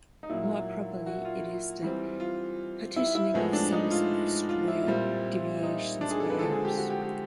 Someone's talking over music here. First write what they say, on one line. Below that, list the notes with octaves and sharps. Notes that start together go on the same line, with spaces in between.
More properly, it is the partitioning of sums of squared deviations or errors.
D#4
A#2 F#3 A#3 E4
F#4
F4
E3 G3 C4
F4
E4
E4
A2 F3 G#3 B3
D4
D#4
F4
F4
E4
A#2 G3 C4
D#4
D4
G#4
A4
B4
D3 F3 G#3 C4 A4
G#4
G4
F#4
G4
G4